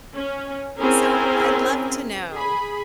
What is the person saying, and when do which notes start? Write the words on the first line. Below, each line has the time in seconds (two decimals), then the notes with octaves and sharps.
So, I'd love to know
0.15 C#4
0.79 C4 C#4 E4 G#4 A#4 G#5
2.33 G#4 B5